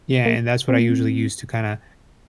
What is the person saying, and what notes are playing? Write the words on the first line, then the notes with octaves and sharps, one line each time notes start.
yeah, and that's what I usually use to kinda,
A#3
C4
A#3
C4